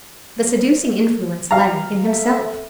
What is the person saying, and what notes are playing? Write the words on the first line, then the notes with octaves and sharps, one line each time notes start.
The seducing influence lay in himself.
F5 A#5
A4 E5